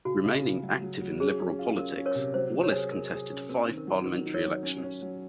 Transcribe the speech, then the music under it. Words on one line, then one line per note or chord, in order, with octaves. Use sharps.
Remaining active in Liberal politics, Wallace contested five parliamentary elections.
C#3 F#4
C#3
C#3
F#3
F#3
F#3
C#4 G#4
C#4
F4
C#4 A#4
C#4
A#4 C#5
C3
F#3 C5
F#3
A#4 C#5
G#4
G#4 A#4
G#4
C#4
C4 A#4
D#3
A#4
F#3
D#3 A#4
D#4
A#4 C#5
F#3
C#4
C#4
F#3